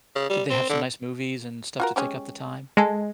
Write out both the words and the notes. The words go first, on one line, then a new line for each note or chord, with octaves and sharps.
Did they have some nice movies and stuff to take up the time?
C#3
G3
C4
D3
F4 F#4 A#4
G#3 C#4 G4
G#3 G#4 A4